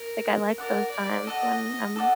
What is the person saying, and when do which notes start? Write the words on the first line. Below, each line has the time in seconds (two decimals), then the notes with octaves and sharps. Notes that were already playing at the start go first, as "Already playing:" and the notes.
Like, I like those times when I'm
Already playing: A#4
0.58 A4 A#4 D5 F#5
0.92 D5
1.27 A4 D5 D#5 F#5
1.96 A4 D5 F#5